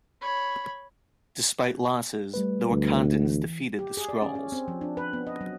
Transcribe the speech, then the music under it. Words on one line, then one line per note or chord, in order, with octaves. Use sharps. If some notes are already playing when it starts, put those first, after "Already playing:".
Despite losses, the Wakandans defeat the Skrulls.
C#5 B5
G3 A3 B4
D2
E3
G4
G#4
D5
C#4
C#4
C4
F3
D4
B4
B3
D#5
F#3